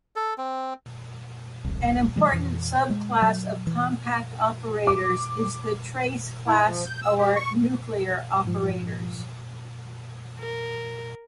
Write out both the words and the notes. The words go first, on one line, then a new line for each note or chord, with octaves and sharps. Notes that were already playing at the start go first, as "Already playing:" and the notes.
An important subclass of compact operators is the trace-class or nuclear operators.
A4
C4
E1 C2
E3 G3 A3
F2 E3
G#3
F#3
E3
D6
E4
F3
G6
E6
G4
C#6
G#2 F3
A#4